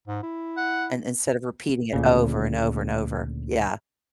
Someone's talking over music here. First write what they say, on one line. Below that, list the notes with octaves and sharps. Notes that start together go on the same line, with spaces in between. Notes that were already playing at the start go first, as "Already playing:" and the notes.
And instead of repeating it over and over and over, yeah.
G#2
E4
F#5
D2 A#2 C#3